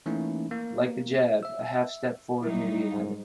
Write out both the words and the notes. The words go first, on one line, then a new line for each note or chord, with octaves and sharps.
Like the jab, a half-step forward may be added.
E3 A3 A#3 C#4 D#4 E4
A#3
E5 E6
F#3 G3 D#4 E4
G#2